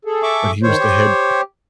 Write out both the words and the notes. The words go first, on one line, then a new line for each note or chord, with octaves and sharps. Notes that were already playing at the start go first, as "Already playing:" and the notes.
but he was the head
G#4 A4
E5 C#6 D6
D#3 C5 C#5
G4